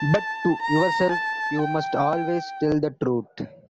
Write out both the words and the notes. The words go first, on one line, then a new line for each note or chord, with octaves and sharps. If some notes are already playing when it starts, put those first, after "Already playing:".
But to yourself you must always tell the truth.
Already playing: A5
A#5
A5
G5